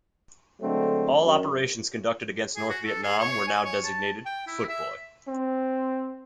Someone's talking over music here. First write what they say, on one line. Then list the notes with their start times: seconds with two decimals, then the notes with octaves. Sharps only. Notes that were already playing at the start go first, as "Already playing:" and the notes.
All operations conducted against North Vietnam were now designated "Footboy".
0.61 D3 F#3 G#3 A3 C4
1.23 F#2
2.56 G#4
2.69 F#4
2.85 A4
3.03 G#4
3.19 C#5
3.47 G#5
3.65 C#5
3.84 A5
4.26 G5
4.47 E4
4.69 E5
5.28 C4